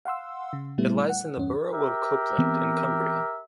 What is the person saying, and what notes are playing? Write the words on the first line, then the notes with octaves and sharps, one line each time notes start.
It lies in the Borough of Copeland in Cumbria.
F5 F#5 C6 E6
C#3
A#2 G3 A3 B3 E4
F#5
E2 G2 C#4
G4 A#4 E5
E3 B3 C4